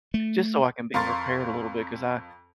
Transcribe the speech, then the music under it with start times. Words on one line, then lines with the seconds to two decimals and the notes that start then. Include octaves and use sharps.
just so I can be prepared a little bit 'cause I,
0.14 A3
0.94 F2 A#4 F5 C6 C#6 A6